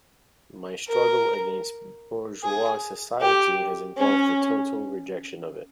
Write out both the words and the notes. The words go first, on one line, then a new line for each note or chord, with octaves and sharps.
My struggle against bourgeois society has involved the total rejection of it.
A#4
G#4
G4
C#4